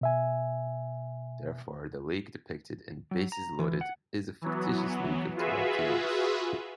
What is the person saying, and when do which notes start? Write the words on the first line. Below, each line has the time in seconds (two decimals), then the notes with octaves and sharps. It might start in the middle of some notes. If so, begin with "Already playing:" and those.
Therefore, the league depicted in "Bases Loaded" is a fictitious league of twelve teams.
0.01 B2 E5 G#5
3.11 F#3
3.32 A#5
3.59 E3
3.81 F#5
4.42 E3 F#3 B3
5.36 F4 F#4 G#4 B4 E5